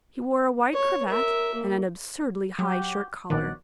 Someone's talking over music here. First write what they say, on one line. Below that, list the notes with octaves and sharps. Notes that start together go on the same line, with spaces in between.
He wore a white cravat, and an absurdly high shirt collar.
C#5
A#4 E5
A#3
F#3 F#4 G4
A#1 B2 D#3 C#5 D5 F#5